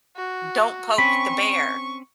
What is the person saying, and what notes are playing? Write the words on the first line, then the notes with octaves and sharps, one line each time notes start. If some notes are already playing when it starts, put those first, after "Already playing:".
don't poke the bear
F#4
C4 C#4 B5 C#6